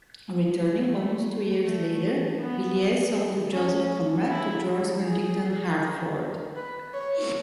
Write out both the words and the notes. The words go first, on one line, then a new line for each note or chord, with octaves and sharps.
Returning almost two years later, Villiers sold the "Joseph Conrad" to George Huntington Hartford.
A3
A3
B3
C#4
E4
G#4
B4
C#5